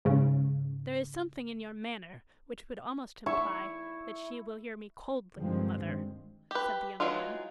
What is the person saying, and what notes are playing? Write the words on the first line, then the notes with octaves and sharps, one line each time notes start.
'There is something in your manner, which would almost imply that she will hear me coldly, mother,' said the young man.
G#2 C#3
E4 C#6
G2 D3 D#3 F3 G#3 C4
G4 B4
E3 F#3 G#3 D#4 F4